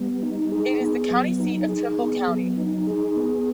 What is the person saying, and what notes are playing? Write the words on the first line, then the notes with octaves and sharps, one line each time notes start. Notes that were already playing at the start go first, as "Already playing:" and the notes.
It is the county seat of Trimble County.
Already playing: G3 B3
D#4
G#4
B3
F#3
D#4
G#4
B3
F#3
D#4
G#4
B3